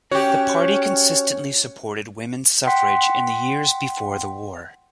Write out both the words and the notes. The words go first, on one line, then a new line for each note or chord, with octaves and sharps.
The party consistently supported women's suffrage in the years before the war.
C#4 F#4 G4 C#5
F#5 G5 C6 B6